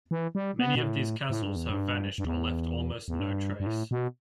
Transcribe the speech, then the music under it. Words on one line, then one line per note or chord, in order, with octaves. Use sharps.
Many of these castles have vanished or left almost no trace.
E3
G3
B3
B2
A2
A2
G2
E2
G2
G2
E2
E2
G2
G2
A2
B2